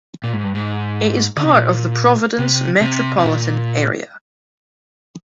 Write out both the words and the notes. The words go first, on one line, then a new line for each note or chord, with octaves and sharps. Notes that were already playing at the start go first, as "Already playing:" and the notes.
It is part of the Providence metropolitan area.
A#2
G#2
G2
G#2
D3
C3
A#2
C3
C3
C3
A#2